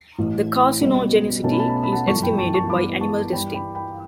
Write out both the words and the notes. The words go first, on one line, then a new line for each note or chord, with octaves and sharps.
The carcinogenicity is estimated by animal testing.
A1 A2 E3
B1 B2 G3 C#4
B1 B2 A3 C#4 A5
B5
A5
B5
A5
B5
F#5 A5
G1 F#2 E3 A3 A5 C#6
G5 B5
A5 C#6
A5 C#6
G2 E3 B3 B5 D6
A5 C#6
G2 E3 G3 G5 B5
G5 B5
G5 B5